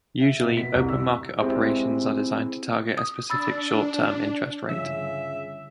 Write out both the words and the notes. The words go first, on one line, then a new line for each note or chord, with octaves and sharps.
Usually, open market operations are designed to target a specific short-term interest rate.
E5
B2
B6
C2
E6
G#3 C4 E4 G4
D#6
D4 B5 E6 A6
D4
G1 C#3 E5